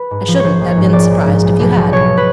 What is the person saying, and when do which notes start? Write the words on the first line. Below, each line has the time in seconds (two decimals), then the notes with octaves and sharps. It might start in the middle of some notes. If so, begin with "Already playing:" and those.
I shouldn't have been surprised if you had.
Already playing: B4
0.11 G#2
0.28 F3
0.40 A#1 C5 C#5
0.60 A#1
0.68 C#5
0.77 G#2
0.93 A#1 D5
1.10 A#1
1.26 G#2
1.43 B1
1.60 B1
1.77 B1
1.92 B2 C#5
2.17 B4